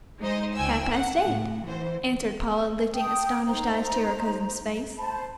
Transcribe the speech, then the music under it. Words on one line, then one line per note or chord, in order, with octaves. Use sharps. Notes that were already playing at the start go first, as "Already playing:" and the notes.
"Half-past eight," answered Paula, lifting astonished eyes to her cousin's face.
G#3 D#4 C5 D#5
C#2 G5 G#5 E6
F#5
A2
E3 C5
G5 A5 D#6
D#4 C5 A#5
C5 A5 B5